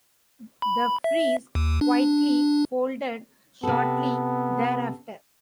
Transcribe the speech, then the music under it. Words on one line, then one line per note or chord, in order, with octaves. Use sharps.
The Freeze quietly folded shortly thereafter.
B5
E5
D#2
D4
C3 B3 A4